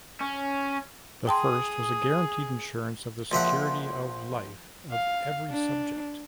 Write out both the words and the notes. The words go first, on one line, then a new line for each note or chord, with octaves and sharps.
The first was a guaranteed insurance of the security of life of every subject.
C#4
G#4 G5 A5 C6 D#6
A#1 F3 E5 F#5
F5
D4